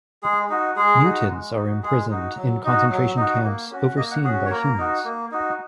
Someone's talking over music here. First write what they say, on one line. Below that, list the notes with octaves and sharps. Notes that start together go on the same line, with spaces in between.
Mutants are imprisoned in concentration camps overseen by humans.
G#3 G#4
D#4 F#4
G#3 G#4
D#4 F#4
G#3
D#4 F#4
G#3 G#4
D#4 F#4
F#3
D#4 F#4
F#3
D#4 F#4
A#3
C#4 F#4
A#3 D#5
F#5
C#4 F#4 G#4
C#5
A#3 A#4
D#4 F#4
A#3
D#4 F#4